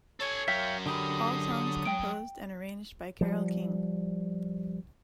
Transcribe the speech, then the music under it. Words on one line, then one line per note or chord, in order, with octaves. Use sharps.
All songs composed and arranged by Carole King.
A4 C#5 G#5
F#3 A#4 E5 F5 G5 B6
D3 G4 B5 D#6
G5 D7
F3 G3